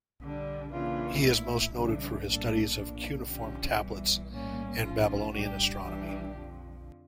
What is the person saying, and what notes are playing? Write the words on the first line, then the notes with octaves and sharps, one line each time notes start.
He is most noted for his studies of cuneiform tablets and Babylonian astronomy.
D3 G3 D4
C#3 E3 A#3 D4 F4
A#2 A3 E4
C#3 E3 G3 D4
A2 G3 A#3 D4 A4
F3 A#3 D4
D3 F3 C#4 G4
E2 E3 G3
A2 G3 A#3 C#4
A2 F3 C#4 F4
A2 G3 D4 G4
E3 G3 D4 G4
F2 D3 F3